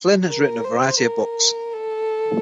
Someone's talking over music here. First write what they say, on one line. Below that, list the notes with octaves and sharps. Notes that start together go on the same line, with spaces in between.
Flynn has written a variety of books.
A#4
C5
A#4
A4